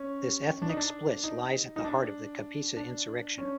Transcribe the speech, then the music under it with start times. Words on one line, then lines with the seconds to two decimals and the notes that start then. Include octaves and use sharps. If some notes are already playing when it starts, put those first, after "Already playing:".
This ethnic split lies at the heart of the Kapisa insurrection.
Already playing: C#4
0.62 D4
0.69 D#4
0.77 D4
1.24 D#4
1.76 D#4
1.84 D4
2.77 D4
3.38 C#4